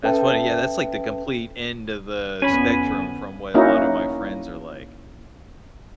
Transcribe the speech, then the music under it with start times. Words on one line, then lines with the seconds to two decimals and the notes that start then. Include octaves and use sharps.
That's funny, yeah, that's, like, the complete end of the spectrum from what a lot of my friends are like.
0.03 C#4 A4 B4 E5 G5 A5
2.42 F2 D3 B3 C#4 G#5 B5
3.54 A#3 C#4 D#4 E4 F#4